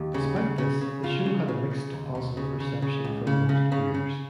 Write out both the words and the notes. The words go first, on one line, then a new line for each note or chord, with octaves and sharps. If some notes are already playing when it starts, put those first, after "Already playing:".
Despite this, the show had a mixed to positive reception from most viewers.
Already playing: D#2
C#3
C#3
C#3
C#3
C#3 F4
C#3
C#3
C#3
D#2
D#2
C#3
C#3
C#3
C#2
C#3
C#3
C#3
C#3